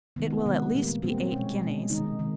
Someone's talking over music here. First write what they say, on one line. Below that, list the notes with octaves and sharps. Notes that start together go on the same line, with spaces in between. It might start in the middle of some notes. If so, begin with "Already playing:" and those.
It will at least be eight guineas.
C3 D#3 G#3 B3
B3
C3 D#3 G#3 B3
A#2 G3 A#3
A#2 G3 A#3 C4
C4
B2 G#3 C#4
B2 G#3
C3 D#3 G#3 D#4
C3 D#3 G#3